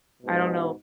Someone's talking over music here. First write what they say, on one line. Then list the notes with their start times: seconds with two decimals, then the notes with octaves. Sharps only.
I don't know
0.23 G#2 B2